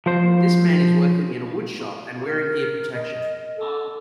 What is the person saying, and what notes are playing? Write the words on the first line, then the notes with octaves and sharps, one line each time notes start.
This man is working in a wood shop and wearing ear protection.
F3 C5
A#4
D#5
A4